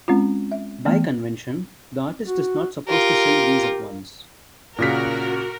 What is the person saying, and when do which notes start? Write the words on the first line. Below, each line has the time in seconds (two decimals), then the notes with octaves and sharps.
By convention, the artist is not supposed to sell these at once.
0.08 G#3 C4 C#4 F4
0.52 E5
0.85 E3 A3 B3
2.27 F#4
2.88 F4 G4 A#4
4.79 A#2 C#3 F#4 A#4 B6